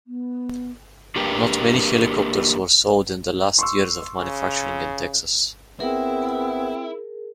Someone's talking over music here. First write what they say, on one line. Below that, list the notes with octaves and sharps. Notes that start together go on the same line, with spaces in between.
Not many helicopters were sold in the last years of manufacturing in Texas.
B3
A#3 D4 G4 A#4 B4 G5
C6 C#6 E6
C#3
B3 C4 E4 G#4 A#4